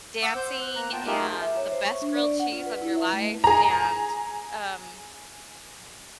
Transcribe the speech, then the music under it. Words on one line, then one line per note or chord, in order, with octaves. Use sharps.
dancing, and the best grilled cheese of your life, and, um,
F#5 D6 E6
C5 G6
F#6
A#3 A#5 F#6
B3 F4 G5 A5
A3 D#4 F4 G4 G#4 A#4
E5
C#5
C5
C#6
D4
D5
F#5
F4
B4
E4
E5
A3
G#4 A#5